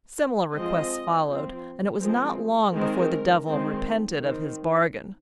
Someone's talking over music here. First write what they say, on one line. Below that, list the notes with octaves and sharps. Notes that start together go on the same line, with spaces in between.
Similar requests followed, and it was not long before the devil repented of his bargain.
F3 G#3 C4 D#5
F3 C4
F3 G#3 C4 A#4
D#3 G#3 C4 A#4
D#3 G#3 C4
D#3 C4